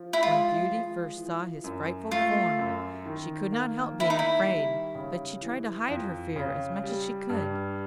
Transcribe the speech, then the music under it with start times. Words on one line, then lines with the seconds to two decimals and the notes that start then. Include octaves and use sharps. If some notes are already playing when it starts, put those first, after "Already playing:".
When Beauty first saw his frightful form, she could not help being afraid; but she tried to hide her fear as much as she could.
Already playing: F3
0.13 E4
0.23 G#3 F4
0.71 F3
1.17 E3
1.64 F#2
2.11 A3 F4
2.59 F#2
3.06 D#3
3.53 A#3
4.00 D#3 E4
4.10 D#4
4.19 E4
4.48 G3
4.95 C#3
5.41 E3
5.88 F2
6.36 C#3
6.84 G3
7.30 G2